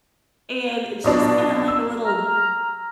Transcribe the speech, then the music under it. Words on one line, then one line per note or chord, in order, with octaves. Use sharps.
and it's just kinda like a little,
B1 B2 D4
E6
A#5 F6